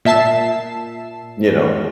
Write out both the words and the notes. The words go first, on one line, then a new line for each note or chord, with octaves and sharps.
you know.
A#2 E5 A5 C7 E7